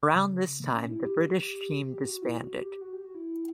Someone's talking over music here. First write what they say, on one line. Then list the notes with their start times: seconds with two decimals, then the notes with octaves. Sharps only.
Around this time, the British team disbanded.
0.15 C#3
0.60 A#3
0.74 C#4
0.89 E4
1.04 G4
1.93 G4
2.08 F#4
2.22 E4
2.37 F#4
2.60 G4
2.81 F#4
2.93 G4
3.05 F#4
3.14 E4